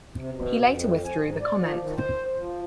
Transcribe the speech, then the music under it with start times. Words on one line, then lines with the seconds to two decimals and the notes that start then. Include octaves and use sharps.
He later withdrew the comment.
0.15 C3
0.34 B2
0.65 F2
1.05 G#5
1.19 G#2
1.41 D5
1.59 F3
1.80 D#3
1.96 C5
2.36 F3